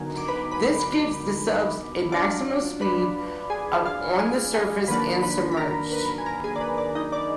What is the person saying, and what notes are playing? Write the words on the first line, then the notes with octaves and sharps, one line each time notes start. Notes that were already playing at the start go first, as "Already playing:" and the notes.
This gives the subs a maximum speed of on the surface and submerged.
Already playing: D3 F#3 B3 D#4 A#4 G#5
D6
B4 B5
B4 B5
F#3 D4 F4 D5 D6
B4 B5
G#4 G#5
F4 F5
G#4 G#5
G#4 G#5
D#3 F#3 A#3 D4 B4 B5
B4 B5
B5
A#4 A#5
B4 B5
G#5
A#4 A#5
G#4 G#5
D5
B4
D5
D#4 D#5
D5